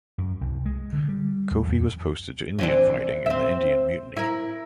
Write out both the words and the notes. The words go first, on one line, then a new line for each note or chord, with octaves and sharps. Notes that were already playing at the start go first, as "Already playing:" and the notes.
Coffey was posted to Indian fighting in the Indian Mutiny.
F#2
C2
G#3
D3
G3
D#2
F2
E3 C4 D4
C4 E5
E4 A#4